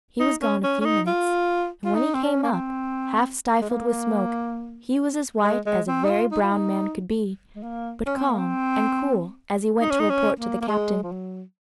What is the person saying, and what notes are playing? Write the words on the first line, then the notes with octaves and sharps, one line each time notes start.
He was gone a few minutes, and when he came up, half stifled with smoke, he was as white as a very brown man could be, but calm and cool as he went to report to the captain.
D#4
C#4
C#4
C#4
D#4
F4
F4
D#4
C4
C#4
A#3
C4
G#3
A#3
G#3
G#3
C4
D#4
F4
D#4
F4
D#4
G#3
A#3
C#4
C4
A#3
C4
D#4
C#4
D#4
C#4
A#3
A#3
G#3
F3
F#3